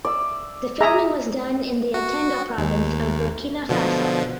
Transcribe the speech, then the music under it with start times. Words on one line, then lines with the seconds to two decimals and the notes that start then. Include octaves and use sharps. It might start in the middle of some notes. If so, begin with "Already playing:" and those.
The filming was done in the Yatenga Province of Burkina Faso.
0.05 D5 E6
0.81 G#4 E5 A#5
1.94 F#4
2.58 D#2
3.69 B2 D3 F3